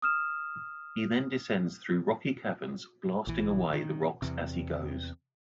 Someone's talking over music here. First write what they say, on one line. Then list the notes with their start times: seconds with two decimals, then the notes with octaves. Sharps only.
He then descends through rocky caverns blasting away the rocks as he goes.
0.02 D#6 F6 E7
3.27 A#1 E3
3.73 D#3
4.22 E2 C3